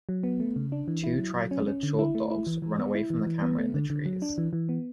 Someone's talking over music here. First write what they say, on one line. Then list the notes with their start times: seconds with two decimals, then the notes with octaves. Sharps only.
Two tricolored short dogs run away from the camera in the trees.
0.09 F#3
0.23 B3
0.40 A3
0.56 C#3
0.72 D4
0.88 E3
1.04 E4
1.19 F#3
1.36 F#3
1.51 C#4
1.67 C#4
1.83 D3
1.99 E4
2.15 A3
2.30 E4
2.47 E3
2.62 E3
2.79 B3
2.95 E4
3.10 E3
3.27 E3
3.42 B3
3.58 A3
3.74 D3
3.90 D3
4.06 F#3
4.22 D4
4.38 E3
4.53 E3
4.69 B3